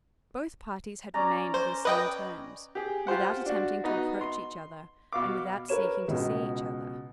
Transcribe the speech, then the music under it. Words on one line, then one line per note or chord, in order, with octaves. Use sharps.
Both parties had remained on the same terms, without attempting to approach each other, and without seeking to see each other.
C#4 D5 A#5
C5
B4 D#5 G5
G4 G#4
F4 G4 C5 F#5
D4 F#4
B3 D#4 F#4
C6
B2 F5 D6
A#4 B4 C#5 E7
C#2 B2